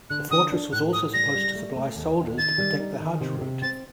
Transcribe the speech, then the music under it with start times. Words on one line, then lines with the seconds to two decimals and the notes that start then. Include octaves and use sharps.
The fortress was also supposed to supply soldiers to protect the hajj route.
0.10 D3 F#6
0.31 D3 D#6
0.52 D4
0.72 A2 F#6
0.93 A2 D#6
1.14 G3 A#6
1.35 G3
1.55 A3
1.76 A3
1.96 D#2
2.17 D#2
2.38 D#3 A6
2.58 G3
2.80 D#4
3.00 D#3
3.21 C3
3.41 C3
3.62 C4 A6